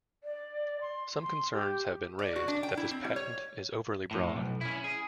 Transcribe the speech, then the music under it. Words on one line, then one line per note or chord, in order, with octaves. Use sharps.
Some concerns have been raised that this patent is overly broad.
D5
C6
C6
G4
D5
F#4
D4
G5
E4
C4
G3
C#5
F2 A2
B1
C#4 E4
G#4